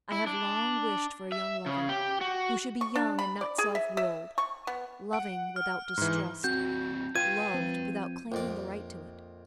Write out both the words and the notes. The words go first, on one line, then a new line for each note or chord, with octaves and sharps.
I have long wished for a young lover, who should be young and not self-willed, loving without distrust, loved without claiming the right to it.
E4
D4
E5
C#3
G4
F#4
C#6
D4
B5
D5
G#4
E5
E5
C#6
B3
F#5 D7
F6
G#2 E3
F#3 C4 F#4 G6
F4 B4 G5 G#6 D#7
F3 C4 F4
A#1 F2 D5